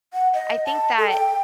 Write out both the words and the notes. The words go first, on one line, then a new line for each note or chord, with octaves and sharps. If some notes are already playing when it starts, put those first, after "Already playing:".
I think that
F#5
D#5
A5
A4
G5